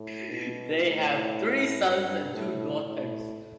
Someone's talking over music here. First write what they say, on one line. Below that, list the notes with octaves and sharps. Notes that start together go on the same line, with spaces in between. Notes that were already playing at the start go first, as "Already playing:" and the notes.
They have three sons and two daughters.
Already playing: A2
B2
A2
G2
A2
A2